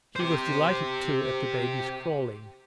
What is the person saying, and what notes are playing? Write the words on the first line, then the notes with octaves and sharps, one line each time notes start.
She was delighted, too, at the baby's crawling.
G4 C5